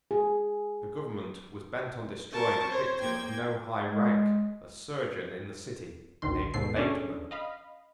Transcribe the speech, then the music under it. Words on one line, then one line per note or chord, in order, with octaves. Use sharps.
The government was bent on destroying a victim of no high rank, a surgeon in the City, named Bateman.
G#4
C4 A#4 A5 C#6
C5 C#5
A#3 G5 G#6
G#3
A1 D2 D#3 C6
D#2 G#2 B2 A4 C7
C#4 D4 G#4 A4 D5
D#5 F5 B5